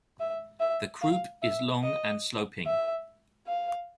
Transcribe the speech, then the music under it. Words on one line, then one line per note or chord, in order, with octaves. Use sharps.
The croup is long and sloping.
E5
E5
F5
E5
D#5
E5
F5